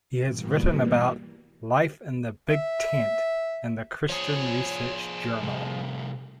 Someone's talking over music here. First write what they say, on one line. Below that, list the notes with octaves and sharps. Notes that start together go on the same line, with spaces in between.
He has written about "Life in the Big Tent" in the Christian Research Journal.
G#2 B2 E3 G3 A#3
E5
F3 G#4 C#5
C3 G3 A3